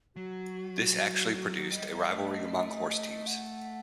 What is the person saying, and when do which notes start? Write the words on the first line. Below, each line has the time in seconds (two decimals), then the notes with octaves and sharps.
This actually produced a rivalry among horse teams!
0.16 F#3 F#4
1.71 G3 D#5
2.10 A3
3.27 F#5